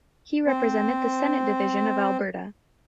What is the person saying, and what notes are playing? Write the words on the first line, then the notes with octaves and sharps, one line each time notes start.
He represented the senate division of Alberta.
C4 C5